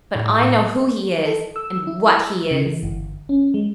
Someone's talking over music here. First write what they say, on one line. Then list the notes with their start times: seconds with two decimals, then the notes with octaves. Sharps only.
But I know who he is and what he is.
0.15 A2
1.14 B4
1.26 A4
1.56 E6
1.87 E4
2.06 E6
2.51 C#3
2.66 E3
2.83 G1
3.29 C#4
3.54 G#3